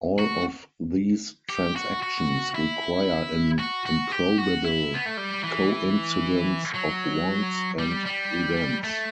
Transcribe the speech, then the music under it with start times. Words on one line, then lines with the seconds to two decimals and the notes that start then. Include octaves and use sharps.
All of these transactions require an improbable coincidence of wants and events.
0.19 F#4
1.50 G4
1.76 F#4
2.02 F#4
2.55 E4
3.59 F#4
3.86 F#4
4.11 G4
4.38 F#4
4.64 E4
4.94 B3
5.06 A3
5.17 G3
5.43 E3
6.74 F#3
7.79 G3
8.06 G3
8.84 A3